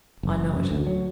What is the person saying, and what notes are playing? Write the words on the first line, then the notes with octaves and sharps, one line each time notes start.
I know it.
F#1
F#2
D2
F#3